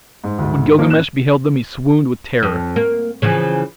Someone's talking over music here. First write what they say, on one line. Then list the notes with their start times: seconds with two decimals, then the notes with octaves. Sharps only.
When Gilgamesh beheld them he swooned with terror.
0.24 G#2
0.38 D2 G#2
0.77 F3 A#3 D#4 A#4
0.90 A1 F#6 E7
2.43 F2
2.76 A#3
3.22 C#3 E3 F3